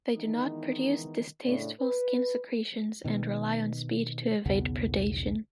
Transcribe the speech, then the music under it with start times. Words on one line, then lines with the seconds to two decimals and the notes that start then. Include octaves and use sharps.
They do not produce distasteful skin secretions and rely on speed to evade predation.
0.16 D#3 E3 G#3 B3 D#4
1.45 A2 C#3 D4 D5
1.80 B4
3.04 B2 D#3
4.46 B1 E2 C#3 B3